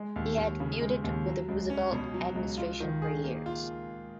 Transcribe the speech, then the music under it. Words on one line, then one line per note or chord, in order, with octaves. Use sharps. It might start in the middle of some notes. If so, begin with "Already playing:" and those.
He had feuded with the Roosevelt administration for years.
Already playing: G#3
D#2
D#2
C#3
G#3
D#2
F#3
C#2
C#4
B2
F#3
C#2
F4
D#3
G#4
A#3
F4